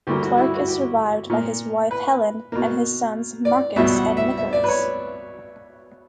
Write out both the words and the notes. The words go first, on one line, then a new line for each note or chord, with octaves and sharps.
Clarke is survived by his wife Helen and sons Marcus and Nicolas.
D2 D3 G3 A#3 G4
F#4
E4
F#4
G4
A#2 A#3
B4
B2 A#3
D5
C#2 B2 G3 E5
F#5
E5
E5
D5
B4
C#5